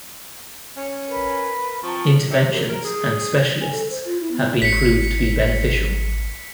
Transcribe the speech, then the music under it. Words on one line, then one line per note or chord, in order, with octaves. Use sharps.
Interventions and specialists have been proven to be beneficial.
C#4
A#4 B4
F3 C4 A5 A#5 C#6
C3
F#2
A#4
G#4
G#5
A4
C5
F4
E4
B3
G#1 B6 C#7